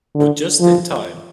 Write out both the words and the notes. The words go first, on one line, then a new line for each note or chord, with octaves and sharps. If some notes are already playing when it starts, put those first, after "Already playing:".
You're just in time.
D3
F3